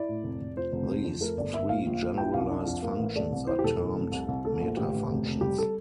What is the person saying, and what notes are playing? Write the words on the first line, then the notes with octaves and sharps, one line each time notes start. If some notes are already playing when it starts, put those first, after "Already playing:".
These three generalised functions are termed "metafunctions".
Already playing: E4 D5
A2
F1
F1
F3 C5
F1
C4
F2
A3 A#4
G1 D5
A#3 E5
A#1 F5
A#1
A#1
E4 G5
C2 F5
D4
F2
A#3
A1
A3 D5
C2
E3 C5
G4
E1 A4
E3
F1
C2
C2
A3 A4
A#1
A1 G4
A1
F1
F1
G3 G4
A4